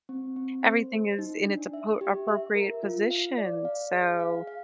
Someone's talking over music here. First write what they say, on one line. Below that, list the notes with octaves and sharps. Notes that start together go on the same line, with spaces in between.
everything is in its apo appropriate position," so,
C4
C4
C5
C5
D#4
D4
E5
G4
E5
A#4
F4
F5
D5
F5
G#4
F5
F5